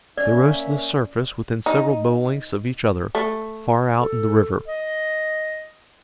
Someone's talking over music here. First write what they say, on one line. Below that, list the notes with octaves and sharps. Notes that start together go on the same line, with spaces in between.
They rose to the surface within several bow-lengths of each other, far out in the river.
A#3 C#4 D5 E5
D#4
A3
A4
D#5